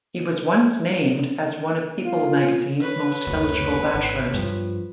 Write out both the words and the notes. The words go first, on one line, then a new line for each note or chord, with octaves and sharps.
He was once named as one of People magazine's most eligible bachelors.
F4
B4 C#5
F#1 D2
G#1
G2 F3